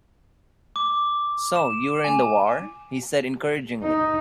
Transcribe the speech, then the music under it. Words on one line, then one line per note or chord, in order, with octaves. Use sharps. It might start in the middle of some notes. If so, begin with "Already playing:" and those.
"So you were in the war," he said encouragingly.
D6
E7
G#5
D#4